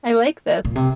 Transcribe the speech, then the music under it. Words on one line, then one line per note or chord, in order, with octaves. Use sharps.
I like this.
A#2
C3